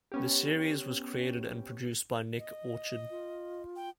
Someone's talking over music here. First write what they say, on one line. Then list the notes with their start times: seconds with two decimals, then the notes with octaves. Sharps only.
The series was created and produced by Nick Orchard.
0.12 B3 C#4 G4
2.38 D#5
3.10 F4
3.76 G5